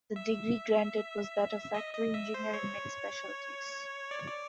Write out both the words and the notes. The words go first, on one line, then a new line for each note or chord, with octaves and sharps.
The degree granted was that of Factory Engineer in many specialties.
E5
D#5
D#5
E5
C5
C#5
D5
C#5
D5